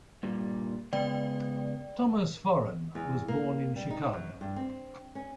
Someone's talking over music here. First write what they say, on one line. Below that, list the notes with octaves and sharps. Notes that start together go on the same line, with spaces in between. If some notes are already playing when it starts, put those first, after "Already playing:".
Thomas Foran was born in Chicago.
G2 A#2 G3
C#3 G#3 B3 D5 G5
E2
A#3
G3
D#4
F#2
G2
C4
C#4